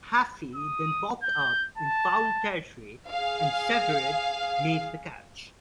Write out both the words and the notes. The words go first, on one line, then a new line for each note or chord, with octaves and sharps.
Hafey then popped up in foul territory, and Severeid made the catch.
D#6
G6
A5
G#4 F5